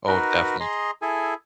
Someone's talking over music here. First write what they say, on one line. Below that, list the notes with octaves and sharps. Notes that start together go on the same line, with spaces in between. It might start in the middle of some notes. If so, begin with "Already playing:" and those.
Oh, definitely.
D#4 F#4 A#4 B4
G#4 D#5 A#5 C6
E4 G#4 A4 G#5